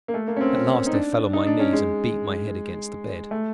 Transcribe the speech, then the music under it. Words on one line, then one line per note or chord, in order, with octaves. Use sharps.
At last I fell on my knees and beat my head against the bed.
A#3
A3
A#3
C#4
C4
C#4
D#4
D4
D#4
D4
C#4
G#3
A3